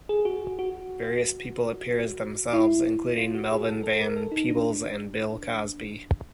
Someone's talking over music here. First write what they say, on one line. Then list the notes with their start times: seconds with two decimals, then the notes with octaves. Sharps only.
Various people appear as themselves, including Melvin Van Peebles and Bill Cosby.
0.09 G#4
0.25 F#4
0.59 F#4
2.53 E4
3.18 F4
3.35 F#4
3.51 G#4
3.67 A4
3.83 A4
4.00 A#4
4.16 A4
4.31 D#4
4.49 D4